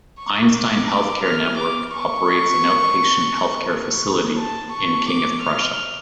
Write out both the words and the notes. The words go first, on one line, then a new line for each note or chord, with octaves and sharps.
Einstein Healthcare Network operates an outpatient healthcare facility in King of Prussia.
C#6
D6
D6
F6
D6
C#6
C#6
A5
C#6
D6
F6